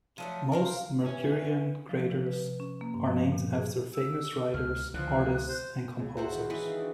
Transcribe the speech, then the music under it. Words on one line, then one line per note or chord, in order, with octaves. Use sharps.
Most Mercurian craters are named after famous writers, artists and composers.
F3 F#3 A3
A#4 C5 F5
E3 C#4
F3
C3
B4
C#4
A#3
G2
F3
A#2
G#4
E6
C#2 F6
C#2 D3 E3 F3 F#6
C5
C#2
F#4 A4 C5 E5 F#5
D#3 A#3 B3
E3 G#4 B4 B5
C4 D#4 F5
D4 F#4